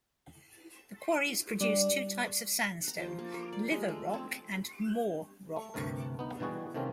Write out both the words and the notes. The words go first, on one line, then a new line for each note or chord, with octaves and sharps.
The quarries produced two types of sandstone: "liver rock" and "moor rock".
G3 D4
A#5
F3
A#3
A#4
D5
G#3
A3
C4
A3
D2 G2 C3 A3 A#4
B3 D#4
B2 E3 G3 F#4 G#4
C3 D#3 A3 A#3 C4 C#4